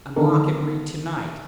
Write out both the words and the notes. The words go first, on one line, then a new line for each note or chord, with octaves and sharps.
"Unlock and read to-night."
D3 D#3 B3 D#4 A4 A#4